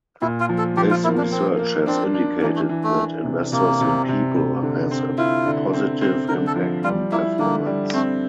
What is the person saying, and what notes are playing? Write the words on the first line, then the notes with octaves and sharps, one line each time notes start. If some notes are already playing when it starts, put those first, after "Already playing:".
This research has indicated that Investors in People has a positive impact on performance.
A#2 E4
F4
F3
A4
F3 G4
F4
A#3 E4
D4
A#3 C4
A#3
C4 D4
D4
E3 A#3
A3
E3
A3
E3
C3
C3 A#3
C3
C3
C3
D3
C4
E4 F4
D3
C4
C4
D3 A#4
A4
F3
G3 F4
A#3 E4
D3 A#3
G3
A3 C4